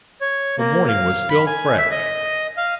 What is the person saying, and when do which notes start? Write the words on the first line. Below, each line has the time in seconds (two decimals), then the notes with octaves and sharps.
The morning was still fresh.
0.21 C#5
0.59 A#3
0.88 F5
1.30 B5
1.46 G#5
1.78 E5
1.91 D#5
2.57 F5